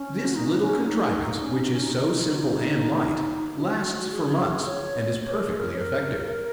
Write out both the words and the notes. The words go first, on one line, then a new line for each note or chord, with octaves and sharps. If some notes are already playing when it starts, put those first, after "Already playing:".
This little contrivance, which is so simple and Light, lasts for months, and is perfectly effective.
Already playing: C#4
F#4
D#4
C#4
F#4
D#4
C#4
D#4
C#4
D#4
D#4
D#4
F#4
D#4
F#4
G#4
C#5
C#5
A#4
G#4
A#4
C#5
A#4
A#4